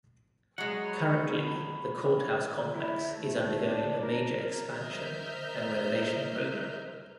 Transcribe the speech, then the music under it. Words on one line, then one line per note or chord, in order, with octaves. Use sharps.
Currently, the Courthouse Complex is undergoing a major expansion and renovation program.
F#3 G#3 F#5
C#5 B5
E4
A3
D4
A#4
A#4 C5 D#5 E5 F6 G6